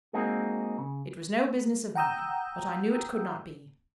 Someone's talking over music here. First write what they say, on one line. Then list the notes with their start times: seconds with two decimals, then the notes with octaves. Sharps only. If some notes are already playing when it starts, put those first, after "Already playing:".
It was no business of mine; but I knew it could not be.
0.13 G#3 A#3 C4 D#4 F#4 G#4
0.78 C#3
1.95 F#5 G5 A#5 D#6 E6 G6